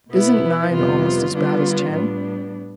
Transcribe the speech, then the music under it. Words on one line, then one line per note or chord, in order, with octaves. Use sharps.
Isn't nine almost as bad as ten?
B2 B3 E4
F2 C3 G3 B3 F4
D3 G3 B3 D4 F4
A2 G3 B3 D4